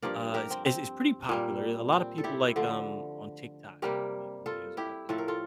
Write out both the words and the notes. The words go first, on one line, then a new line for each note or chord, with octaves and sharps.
uh, it's it's it's pretty popular a lotta people, like, um, on TikTok have been making videos about this one,
G2 F3 A#3 A#4 D5
G4 A#4
C4
C4
A#2 G3 A#3
C4
A4
E4 G4
D3 F3 A3
C3 G3 A#3 G4 A#4
F4 A4
E4 G4
A2 F3 A3 A4
A#4
F4 A4